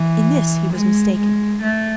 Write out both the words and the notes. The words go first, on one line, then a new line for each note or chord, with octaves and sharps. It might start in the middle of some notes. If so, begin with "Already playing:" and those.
In this he was mistaken.
Already playing: E3
G#3
G#3
A3